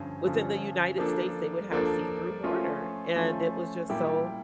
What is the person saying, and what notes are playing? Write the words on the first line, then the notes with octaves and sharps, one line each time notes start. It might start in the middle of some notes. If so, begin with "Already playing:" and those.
within the United States they would have see-through water, and it was just so
Already playing: G2 D3 F3 C#4
G2 D3 F3 C#4
F3 A#3 D4 A4
F3 A#3 D4 A4
F3 A3 C#4 F4
F3 A3 C#4 F4
A#2 G3 A#3 E4 G4